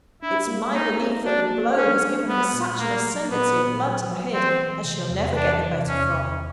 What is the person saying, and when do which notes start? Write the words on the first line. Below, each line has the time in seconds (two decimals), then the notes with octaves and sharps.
It's my belief, that the blow has given her such an ascendency of blood to the head as she'll never get the better from.
0.22 D4 E4
0.47 A#3
0.73 A#3 D#4
0.99 A#3
1.25 D4 F#4
1.50 A#3
1.75 C#4 D4
2.02 D4
2.27 A3 B3
2.53 A#2
2.79 A3 A#3
3.04 F#3
3.30 A#2 B3
3.56 A#2
3.81 F#3
4.07 F#3
4.32 E3 C4
4.58 E3
4.84 C3
5.10 E2
5.36 E3 D4
5.61 C3
5.86 E2 C#4
6.13 E2